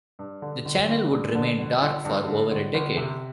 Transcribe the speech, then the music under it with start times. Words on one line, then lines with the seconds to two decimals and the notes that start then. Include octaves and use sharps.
The channel would remain dark for over a decade.
0.19 G2
0.42 D3
0.65 G1
0.88 G1
1.11 G2
1.35 D3
1.58 G1
1.82 G1
2.05 G2
2.28 D3
2.51 G1
2.74 G1
2.97 C3